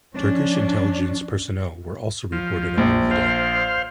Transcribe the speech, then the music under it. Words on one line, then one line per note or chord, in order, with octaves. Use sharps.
Turkish intelligence personnel were also reported among the dead.
F3 C#4 D4
F3
A#1
C5 F5